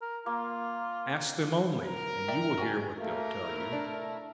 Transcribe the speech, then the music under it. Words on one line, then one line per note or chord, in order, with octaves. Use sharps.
Ask them only and you will hear what they'll tell you.
A#4
A#3 F4
A#4
D5 E5 G5
F#4 G5 G#5
A3 A#3 A#4
A3 E4
D4